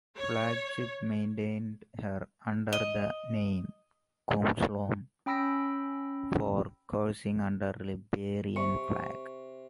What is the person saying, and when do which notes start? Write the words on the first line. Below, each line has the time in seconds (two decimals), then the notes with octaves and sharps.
Flagship maintained her under the name "Kungsholm" for cruising under Liberian flag.
0.18 C#5
2.73 D#5
5.26 C#4 G5 B5 E6 A#6 D7
8.56 C3 C#6